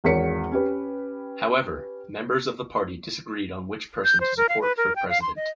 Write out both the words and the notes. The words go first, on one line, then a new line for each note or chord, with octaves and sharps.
However, members of the party disagreed on which person to support for president.
G#1 E2 A#4 C#5 B6 C#7
C#4 G4 B4
G6
C5
A#4
F5
B4
A#4
G5
F5
C6
D#5